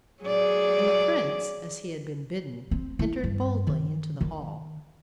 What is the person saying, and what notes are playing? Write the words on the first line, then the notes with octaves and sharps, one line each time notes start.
And the prince, as he had been bidden, entered boldly into the hall.
F#3 G#4 D5
C4
E4
G2
D#3
D#3